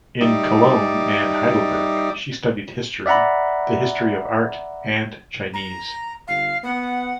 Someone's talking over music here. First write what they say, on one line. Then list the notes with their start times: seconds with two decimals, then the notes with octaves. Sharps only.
In Cologne and Heidelberg she studied history, the history of art and Chinese.
0.21 G3 D#4 D5 E5
3.06 D5 E5 F#5 A#5 B5
5.54 A#5
6.28 G1 F5
6.63 B3 F#5